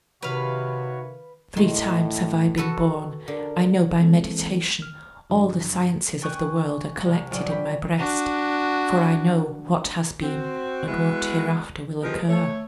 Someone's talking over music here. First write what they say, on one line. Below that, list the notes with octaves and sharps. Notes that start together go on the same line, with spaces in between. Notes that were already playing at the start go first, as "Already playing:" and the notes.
"Three times have I been born, I know by meditation; All the sciences of the world are collected in my breast, For I know what has been, and what hereafter will occur."
C3 D#3 F#4 B4 C#5 F5
A2 D#3 C6
F#4 A4 B4
D3 A#4
D#3 E3 G#3 A#3 C4 A4
F6
G2 D3 F3 F#3
G5 G#5 C#6 D#6 F#6
C2 F6
A#1 D3 F#3 C#4 D5 F6
G5 B5
D4 F#4
C4 F#4
G#3 B3 E4 F#4 B4
F3 G3 B3 D#4 G#4 A#4
A3 C#5